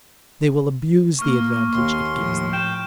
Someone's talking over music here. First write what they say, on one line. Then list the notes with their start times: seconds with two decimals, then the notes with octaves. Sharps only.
They will abuse the advantage it gives them.
1.19 A#3 C#6 F6
1.74 D#2 C6
2.14 A2 F3
2.53 G5 G6 E7 G7